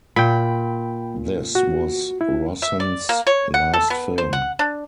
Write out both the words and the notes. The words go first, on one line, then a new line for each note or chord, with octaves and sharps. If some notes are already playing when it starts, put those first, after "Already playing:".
This was Rossen's last film.
A#2 G5 B5
F#4
E4
E5
D5
A#3
C#5
F#5
A4
B3
C5
F#5
D4